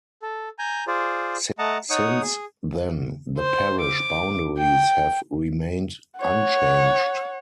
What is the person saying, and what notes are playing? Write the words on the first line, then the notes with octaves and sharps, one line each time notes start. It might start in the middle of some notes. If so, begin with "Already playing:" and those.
Since then the parish boundaries have remained unchanged.
A4
G#5 A#5 G6
F4 G#4 C5 D5
A3 D#5 F#5 A5 A#5
D#4 C#5 F#5 D#6
G#4
C5
D6
G5
C#5 F#5